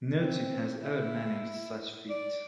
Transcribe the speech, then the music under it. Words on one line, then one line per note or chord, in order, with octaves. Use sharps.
No team has ever managed such feat.
C4
E4
D5